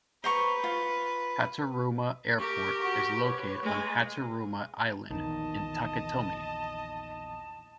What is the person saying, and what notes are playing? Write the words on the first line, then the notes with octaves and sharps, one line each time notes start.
Hateruma Airport is located on Hateruma Island in Taketomi.
B4 C5 A#5 C#6
F4
G4 A#4 C#6
F#4 C#6
B4 C#5
G#3
A#1 E2 D#3 D#5 A5